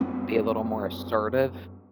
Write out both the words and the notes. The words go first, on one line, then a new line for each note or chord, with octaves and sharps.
Be a little more assertive
F#2 G3 B3 C4